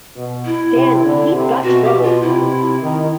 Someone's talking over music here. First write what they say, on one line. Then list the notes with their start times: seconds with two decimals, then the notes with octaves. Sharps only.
Stanley, "he's" got troubles!
0.16 B2
0.46 E4
0.75 C3
1.05 D3
1.34 C3
1.64 B2 F#4
1.84 G4
2.03 F4
2.22 C3 E4
2.82 D#3